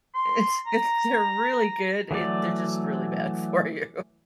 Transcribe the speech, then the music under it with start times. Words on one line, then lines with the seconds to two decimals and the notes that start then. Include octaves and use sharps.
It's it's they're really good, it they're just really bad for you.
0.15 C6
0.67 A#5
2.11 E3 F#3 A3 D5